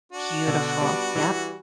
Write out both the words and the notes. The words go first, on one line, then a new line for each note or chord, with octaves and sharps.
Beautiful, yep.
D4 F#4
B2 D3
G3 B3
E3 G3